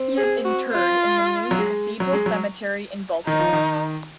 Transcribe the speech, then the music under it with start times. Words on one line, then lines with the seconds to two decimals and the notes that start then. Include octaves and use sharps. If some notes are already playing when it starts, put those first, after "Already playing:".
He is interred in the New Cathedral Cemetery in Baltimore.
Already playing: C4
0.17 G#4
0.45 F#4
0.73 F4
1.51 F#3
1.58 G#3
2.00 F#3
2.13 G#3
2.26 F#3
3.27 D#3 D#4
3.39 F3
3.53 D#3